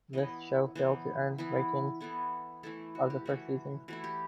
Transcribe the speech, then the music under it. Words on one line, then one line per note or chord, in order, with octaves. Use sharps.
This show failed to earn the ratings of the first season.
E3 B3 E4 D#5
E3 B3 E4 C5
E3 B3 E4
E3 B3 E4 A4
E3 A3 E4 A4
F#4
G4
E3 A3 E4 F#4
E3 A3 E4 F#4
G4